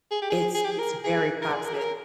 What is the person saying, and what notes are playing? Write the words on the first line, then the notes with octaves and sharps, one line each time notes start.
it's it's very toxic.
G#4
G4
G#4
G#4
G4
G#4
A#4
G#4
A#4
G#4
A#4
G#4
A#4